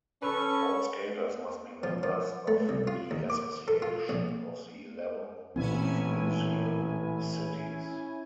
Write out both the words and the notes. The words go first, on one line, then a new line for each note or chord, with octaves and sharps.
All skaters must be members of the Association of the Eleven Frisian Cities.
C#4 A4 B4 B5 C#6 E6
F3
F3
A3
C2
F4
D#2
D6
A4
F4
A#1
A1 A#2 E3 C4 C#4 E4 G#5